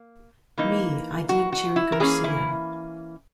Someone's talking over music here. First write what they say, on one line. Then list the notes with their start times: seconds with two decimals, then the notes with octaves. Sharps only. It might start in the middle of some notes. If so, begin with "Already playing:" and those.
Me, I dig Cherry Garcia.
Already playing: A#3
0.58 E3 A#3 D#4
1.29 F#4
1.52 F#4
1.76 E4
1.92 A#4
2.00 E3 A#3 C#4 G#4
2.24 E4